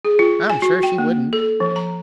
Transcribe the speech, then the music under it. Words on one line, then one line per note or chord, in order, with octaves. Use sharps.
"I'm sure she wouldn't."
G#4
F4
G#5
F#4
G5
A#3
A4
F3
A#5